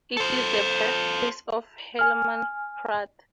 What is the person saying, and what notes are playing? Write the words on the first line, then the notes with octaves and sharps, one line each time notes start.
It is the birthplace of Helaman Pratt.
A4 C5
G#5 F6